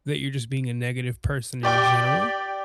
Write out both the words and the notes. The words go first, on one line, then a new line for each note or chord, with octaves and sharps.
that you're just being a negative person in general,
G4 D5 G5 D6